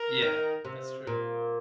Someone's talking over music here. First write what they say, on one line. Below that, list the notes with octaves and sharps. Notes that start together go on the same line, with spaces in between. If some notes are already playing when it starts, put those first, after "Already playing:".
Yeah, that's true.
Already playing: A#4
D#3
C3
A#2